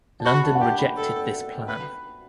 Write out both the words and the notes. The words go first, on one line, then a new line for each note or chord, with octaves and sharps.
London rejected this plan.
A5
F#4 B5
A5
F#5
G4 G5
B5
A4
B4 B5